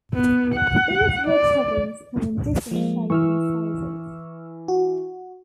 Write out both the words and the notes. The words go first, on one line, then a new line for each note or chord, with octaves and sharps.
These hair coverings come in different shapes and sizes.
B3
F#5
D5
F3 G#3 A#3
E3 C#6 E6 F6
F#4